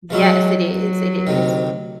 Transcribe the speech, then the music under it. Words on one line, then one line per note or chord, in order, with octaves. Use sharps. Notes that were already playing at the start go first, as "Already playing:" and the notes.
Yes, it is, it is.
E3 F#3 G#3 C#4 E4
F#3
D2 C3 D#3